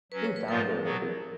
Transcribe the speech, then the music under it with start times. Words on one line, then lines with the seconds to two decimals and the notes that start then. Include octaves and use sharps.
Who's down there with you?
0.12 F#3 C#4 F#4 B4
0.24 C#5
0.36 B4
0.48 G#2 F3 B3 F4 A#4
0.84 B2 F#3 B3